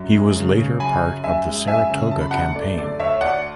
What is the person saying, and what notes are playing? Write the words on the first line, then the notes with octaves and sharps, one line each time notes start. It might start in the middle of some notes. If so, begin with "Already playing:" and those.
He was later part of the Saratoga Campaign.
Already playing: F#2
G#3
C#3
C#3
F#2 G#5 B5
F#2
F#2 E5 G#5
G#3
F#2 E5 G#5
C#3
F#2 A5
B5
F#2 F#5 A5
A3 D5
D3 D5
D2 C#5 E5
D2 D5 F#5